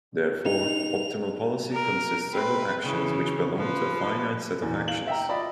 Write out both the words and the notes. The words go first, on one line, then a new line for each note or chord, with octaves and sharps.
Therefore, optimal policy consist several actions which belong to a finite set of actions.
D#4 F7
A#4
C4 B4
C#3 E3
F3 B4
E2 A#2 E3
F5 F#7
E5 G5 A#5
F4 D5 D#5 B5